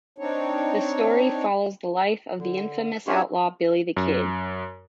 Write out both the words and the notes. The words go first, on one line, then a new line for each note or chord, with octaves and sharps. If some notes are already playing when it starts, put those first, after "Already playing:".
The story follows the life of the infamous outlaw Billy the Kid.
C4 D4 D#4 C#5
D3
C#4 D4 E4 F4 G4 C#5
F#2